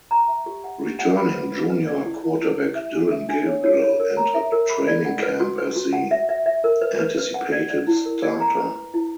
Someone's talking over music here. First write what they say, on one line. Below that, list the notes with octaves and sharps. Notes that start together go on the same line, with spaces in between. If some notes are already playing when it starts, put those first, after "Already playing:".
Returning junior quarterback Dillon Gabriel entered training camp as the anticipated starter.
A#5
E5
G4
F#5
G4
F#5
B5
B4
B4
B4
D5
E4
E4
E4
G4
E5
D4
E5
D4
C#5
C#5
C#5
A#4
A#5
E5
A#4
B5
D5
F#5
B4
F#4
B4
F#4
F#5
E5
E5
E5
A#4
B4
B4
B4
F#5
D5
D5
E4
A#4
D5
A#5
B4
B4
E4